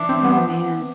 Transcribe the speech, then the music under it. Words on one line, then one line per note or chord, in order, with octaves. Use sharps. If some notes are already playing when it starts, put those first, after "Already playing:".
Oh, man.
Already playing: E3 D4
C4
B3